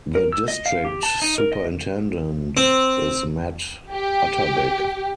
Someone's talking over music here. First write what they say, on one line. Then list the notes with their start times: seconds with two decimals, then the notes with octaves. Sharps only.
The District Superintendent is Matt Utterback.
0.15 A#4
0.32 E6
0.48 D#5
0.66 F5
0.85 G4
1.03 A5
1.22 D#4
1.38 A#4
1.52 D#5
2.57 C4
3.91 G4